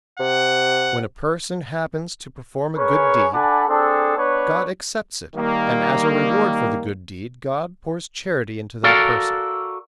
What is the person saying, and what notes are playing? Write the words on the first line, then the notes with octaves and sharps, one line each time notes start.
When a person happens to perform a good deed, God accepts it and as a reward for the good deed God pours charity into that person.
C3 F#5
C#4 G#4 A#4 B4 C#5
D4 A4 D5 F#5 G#5 B5
C4 D4 G#4 A4
B3 D4 B4 C#5
D#3 G3 A#3
F#4 A4 A#4 D5 F5